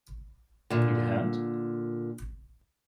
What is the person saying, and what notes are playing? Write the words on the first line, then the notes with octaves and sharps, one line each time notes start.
Need a hand?
A#2 D3